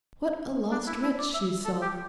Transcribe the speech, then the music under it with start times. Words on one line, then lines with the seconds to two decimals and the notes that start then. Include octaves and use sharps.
What a lost wretch she saw!
0.71 D4
0.87 E4
1.03 E4
1.19 D5
1.34 E5
1.65 A4
1.82 G4